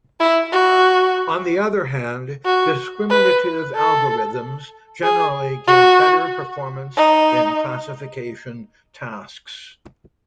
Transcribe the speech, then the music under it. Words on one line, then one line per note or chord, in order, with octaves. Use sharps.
On the other hand, discriminative algorithms generally give better performance in classification tasks.
E4
F#4
F#4
B4
A4
G#4
F#4
D#4